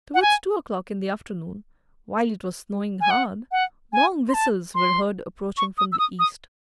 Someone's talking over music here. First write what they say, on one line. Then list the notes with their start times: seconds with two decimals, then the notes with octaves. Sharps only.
Towards two o'clock in the afternoon, while it was snowing hard, long whistles were heard approaching from the east.
0.14 F#5
0.22 G#5
3.01 G#5
3.11 F#5
3.52 F#5
3.93 G#5
4.29 C6
4.34 A5
4.75 C6
5.57 C#6
5.78 D#6
5.92 E6
5.99 D#6
6.19 D#6